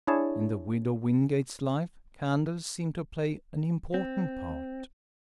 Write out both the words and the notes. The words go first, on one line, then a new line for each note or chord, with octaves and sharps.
In the widow Wingate's life candles seem to play an important part!
D4 E4 G#4 C#5 A5
C4